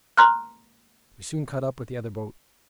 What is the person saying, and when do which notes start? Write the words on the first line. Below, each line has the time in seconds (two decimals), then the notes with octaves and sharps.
We soon caught up with the other boat.
0.17 A#5 C6 F6 F#6